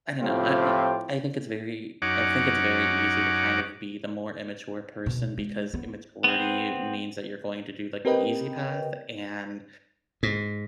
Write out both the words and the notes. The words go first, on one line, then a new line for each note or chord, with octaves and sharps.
I don't know, I I I think it's very I think it's very easy to kind of be the more immature person because immaturity means that you're going to do, like, the easy path, and
A2 F3 C4 F4 G4
F#2 C#4 D#4 F#5 D6
B2
G#3
B3
B3 C4
C4 G4 A#4 B4 D#5 G5
G#2